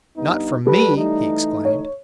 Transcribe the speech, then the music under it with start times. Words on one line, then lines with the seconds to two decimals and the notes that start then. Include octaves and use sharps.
"Not from me!" he exclaimed.
0.17 G2 B3 D#4
0.66 G3 G4 A4 B4
0.98 E3 A3 D#4
1.65 C#5